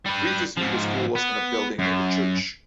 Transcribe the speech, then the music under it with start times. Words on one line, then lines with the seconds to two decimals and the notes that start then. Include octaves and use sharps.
Previously, the school was in a building near the church.
0.05 G3 B4
0.58 G#2 F3
1.16 B3
1.79 F#2